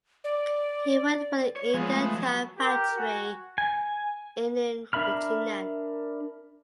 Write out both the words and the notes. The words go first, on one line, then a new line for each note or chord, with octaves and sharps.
He worked for the India Tyre factory in Inchinnan.
D5
C#5
F3 G#3 B3 G#4 B4
A3
F#3
G4 A#4
F#4 G#5
G#5
D4 A#4 E5 B5 F6